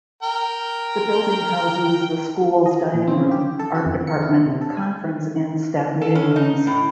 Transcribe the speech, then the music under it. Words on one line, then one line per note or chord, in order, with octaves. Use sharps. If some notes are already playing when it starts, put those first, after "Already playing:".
The building houses the School's Dining Room, Art Department, conference and staff meeting rooms.
A#4 G5
D#5
A#2
C4
G4
A4
F#4
F2
C#7
E4
C3
A4
G#5
A4
C#4
D#4
A2